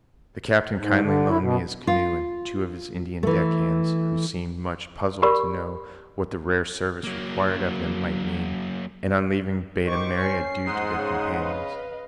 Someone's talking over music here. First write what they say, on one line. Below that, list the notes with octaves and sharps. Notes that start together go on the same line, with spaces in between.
The captain kindly loaned me his canoe and two of his Indian deck hands, who seemed much puzzled to know what the rare service required of them might mean, and on leaving bade a merry adieu to their companions.
G#2
D3
E4
B2
F4
E3 A3
G4 A#4 D5 B5 C#6
F#3 A#3
D#3 G4 C5 C#6 D6
C#4 C7
G#2 F#5 C6 D#6
C#3
B4 D#5 F5